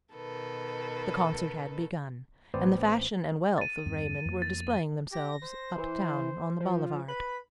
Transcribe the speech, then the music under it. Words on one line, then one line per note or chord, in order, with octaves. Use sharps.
The concert had begun, and the fashion and wealth of Raymond were displaying themselves up town on the boulevard.
B2 D#3 A4 B4
A1 B3 C4 C5 D5
A6 D#7
E2 G2 C4
F2 A#3
A6
G4 A#6
C5
E3
F3
B4 B5